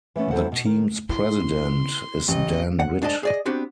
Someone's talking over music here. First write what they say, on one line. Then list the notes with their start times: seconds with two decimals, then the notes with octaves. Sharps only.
The team's president is Dan Witt.
0.16 E3 A3 B3 C#4
0.31 E2 E3 F#3 A4 C5 F#5
0.52 B2
0.65 D#3
1.09 E4 C6
2.28 A1 D#5
2.80 F#5
3.02 G#2 D4 D5 D#5 A5
3.23 G#4 D5 D#5
3.46 B3 C4 D4 F#4 G4